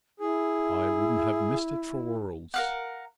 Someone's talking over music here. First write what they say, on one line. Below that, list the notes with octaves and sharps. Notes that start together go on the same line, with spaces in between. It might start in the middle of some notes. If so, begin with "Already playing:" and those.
"I wouldn't have missed it for worlds."
E4 G#4
A#4 F5 F#5